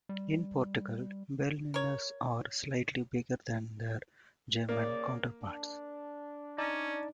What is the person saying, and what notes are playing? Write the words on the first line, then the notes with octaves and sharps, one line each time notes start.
In Portugal, Berliners are slightly bigger than their German counterparts.
G3
A#4 C#5
C#3 A#3 D5
D4
C#4 D#4 D5 A5